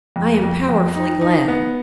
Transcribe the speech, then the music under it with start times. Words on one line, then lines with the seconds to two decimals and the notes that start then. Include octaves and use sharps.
I am powerfully glad.
0.16 F2
0.43 F2
0.69 F2
0.95 D#4
1.21 D#4
1.48 B3